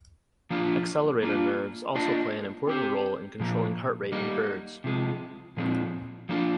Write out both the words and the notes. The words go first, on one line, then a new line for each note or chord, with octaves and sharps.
Accelerator nerves also play an important role in controlling heart rate in birds.
F3 A#3 D4 F4
A#3 D4 F4
A#3 D4 F4 C5 D#5
C4 G4 C5
A#2 F3 A#3
G3 A#3 D#4
C3 F3 G#3
A#2 F3 G#3 C4
F3 A#3 D4 F4